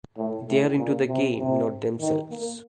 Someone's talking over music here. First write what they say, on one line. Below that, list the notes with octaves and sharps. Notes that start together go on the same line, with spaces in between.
They're into the game, not themselves.
A2
A2
A#2
C3
C3
D#3
A#3